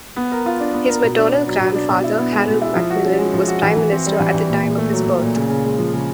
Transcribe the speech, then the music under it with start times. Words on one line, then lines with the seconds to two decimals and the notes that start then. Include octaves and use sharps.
His maternal grandfather Harold Macmillan was Prime Minister at the time of his birth.
0.16 B3
0.32 A#4
0.46 F4
0.60 D4
0.74 B3
0.89 A#4
1.03 B2
1.18 D4
1.32 B3
1.47 F#3
1.60 B2
1.75 D4
1.90 B2
2.04 E4
2.18 B3
2.33 G#3
2.48 B2
2.61 E4
2.75 F3
2.90 F#4
3.05 C#4
3.19 G#3
3.34 F3
3.48 F#4
3.63 E3
3.77 E3
3.92 C4
4.06 G3
4.20 E3
4.34 E3
4.49 A#2
4.63 A#2
4.78 A3
4.93 F#3
5.06 A#2
5.22 A#2
5.36 C#3
5.49 C#3
5.64 G#3
5.78 F3
5.93 C#3